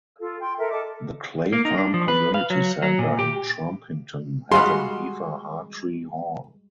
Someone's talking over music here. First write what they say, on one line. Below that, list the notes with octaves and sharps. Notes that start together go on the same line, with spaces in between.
The Clay Farm community centre in Trumpington has an Eva Hartree Hall.
F4 A4 F5
G5 C6
A4 A#4 E5
A4 D#5 D6
A#3
D#4
D4
F3
B4
F5
F#3
F#3
A#2
G4
G3 G#3 F#4 G#4 F5 B5 C6